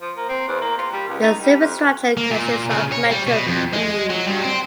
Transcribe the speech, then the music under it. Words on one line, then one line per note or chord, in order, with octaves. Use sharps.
The superstructure consists of metal beams.
F3
A#3
C4
E2
A#3
F4
G3
C#2
D#4
G3
F2
A#3
A#2
C#3
C#5
G3
B2
F2
G#3
F#3
G2
C4